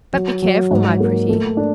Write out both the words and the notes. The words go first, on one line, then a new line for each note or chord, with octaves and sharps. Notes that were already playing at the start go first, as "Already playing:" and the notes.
But be careful, my pretty!
F#3
F#3
G#2
A#3
A3
D4